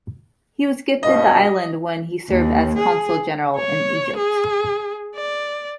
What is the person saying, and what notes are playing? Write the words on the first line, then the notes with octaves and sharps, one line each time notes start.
He was gifted the island when he served as Consul-General in Egypt.
G2 B2 D#5
D#2
G#4
C#5
G#4
D5